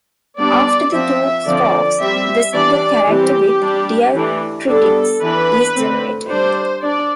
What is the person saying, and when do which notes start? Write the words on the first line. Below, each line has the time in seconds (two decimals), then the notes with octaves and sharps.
After the two strokes, the single character with diacritics is generated.
0.39 G3 B3 D4 D5
0.92 F3 C4 E5
1.46 D3 F3 C4 D5
2.00 G3 C4 E5
2.54 E3 G3 D4 D5
3.07 E3 G3 C4 G4
3.61 G3 D4
4.15 E3 A3 D4
4.68 G3 B3 D4 A4
5.22 E3 B3 D4 B4
5.76 D3 A3 C4
6.29 G3 D4 C5
6.83 D4 D5